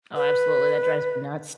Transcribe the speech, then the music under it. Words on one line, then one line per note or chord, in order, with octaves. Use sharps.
Oh, absolutely. That drives me nuts.
B4